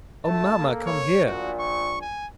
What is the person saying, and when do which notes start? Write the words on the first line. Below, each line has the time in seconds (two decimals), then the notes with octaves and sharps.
Oh, mamma, come here.
0.25 D2 A3 A5
0.56 A#3 A4 A#4
0.86 C#5
1.26 A#1 A#2 F#4
1.59 C#6
2.01 G#5